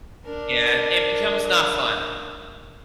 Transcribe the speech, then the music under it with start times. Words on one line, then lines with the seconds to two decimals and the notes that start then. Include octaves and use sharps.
Yeah. It becomes not fun.
0.24 D4 A#4